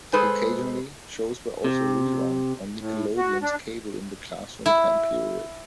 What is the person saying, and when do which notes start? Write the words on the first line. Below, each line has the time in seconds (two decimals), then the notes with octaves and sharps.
Occasionally, shows were also rerun on Nickelodeon's Cable in the Classroom time period.
0.13 G#3 G#4 A4 B4 C5 G#5
1.64 C3
2.80 A2
3.17 F#4
3.42 D4
4.66 E4